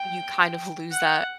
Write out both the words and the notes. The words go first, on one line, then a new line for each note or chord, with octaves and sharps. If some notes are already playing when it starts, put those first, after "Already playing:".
you kind of lose that
Already playing: G5
F#5